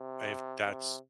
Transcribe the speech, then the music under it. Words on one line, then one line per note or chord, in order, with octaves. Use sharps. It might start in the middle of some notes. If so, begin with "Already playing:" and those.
If that's
Already playing: C3
C3